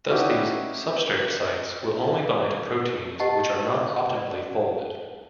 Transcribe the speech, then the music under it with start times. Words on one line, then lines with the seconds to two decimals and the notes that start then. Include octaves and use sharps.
Thus, these "substrate sites" will only bind to proteins which are not optimally folded.
0.10 C#4 D#4 E4 F#4 G4 D5
3.20 G4 D#5 F#5 A5
4.15 D5